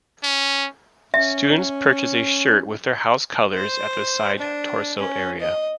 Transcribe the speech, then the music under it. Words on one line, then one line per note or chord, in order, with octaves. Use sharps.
Students purchase a shirt with their house colours at the side torso area.
C#4
C#4 E5
C5
D4
C#4
D#5